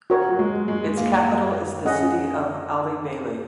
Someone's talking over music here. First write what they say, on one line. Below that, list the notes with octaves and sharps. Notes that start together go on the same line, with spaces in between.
Its capital is the city of Alibeili.
F#4 A#4 C#5
F#3
G#3
G#3
A#3
C#4 G#4 D#5 F#5